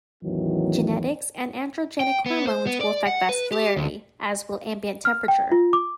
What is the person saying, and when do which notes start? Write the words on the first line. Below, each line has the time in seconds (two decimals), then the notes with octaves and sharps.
Genetics and androgenic hormones will affect vascularity, as will ambient temperature.
0.24 A1 E2 D#3 E3 F#3
2.00 G5
2.26 B3
2.47 C5
2.67 B3
2.81 D5
3.07 F#5
3.29 B4
3.52 G4
3.76 D2
5.05 F6
5.28 G5
5.52 F4
5.73 D6